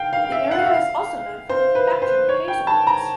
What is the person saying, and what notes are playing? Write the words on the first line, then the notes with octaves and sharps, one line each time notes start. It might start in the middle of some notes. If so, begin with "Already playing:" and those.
The area is also known for the production of hazelnuts.
Already playing: F5 G5
F5
F5
E5
F#5
F5
E5
F5
C5
B4
C5
C#5
G5
A5
A#5